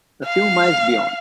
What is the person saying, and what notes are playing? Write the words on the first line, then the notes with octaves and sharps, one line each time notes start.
A few miles beyond.
F5